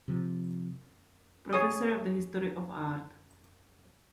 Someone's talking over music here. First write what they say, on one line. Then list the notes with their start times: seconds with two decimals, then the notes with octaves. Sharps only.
Professor of the History of Art.
0.08 C3 F3
1.53 G#4 C#5 G#5 D#6